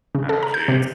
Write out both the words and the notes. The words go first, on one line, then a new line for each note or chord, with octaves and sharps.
Oh, jeez.
C#3
A4
A#5
G6
C3